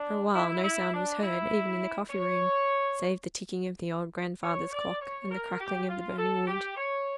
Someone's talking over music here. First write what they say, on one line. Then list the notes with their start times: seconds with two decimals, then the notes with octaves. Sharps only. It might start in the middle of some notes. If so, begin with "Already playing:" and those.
For a while no sound was heard, even in the coffee-room, save the ticking of the old grandfather's clock and the crackling of the burning wood.
Already playing: D4
0.35 E4
0.64 E4
0.93 D4
1.22 E4
2.10 C#5
4.43 C#5
4.73 D5
5.01 C#5
5.30 A#4
5.60 G4
5.89 F4
6.18 A4
6.47 G4
6.77 C#5